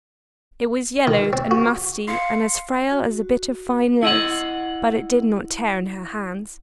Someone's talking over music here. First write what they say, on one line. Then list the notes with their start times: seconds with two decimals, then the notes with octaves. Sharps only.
It was yellowed and musty and as frail as a bit of fine lace, but it did not tear in her hands.
1.07 D#3
1.33 C4
1.51 F#4
2.08 F5 C6 C#7
2.91 F#4
4.03 E4 D#5 F#5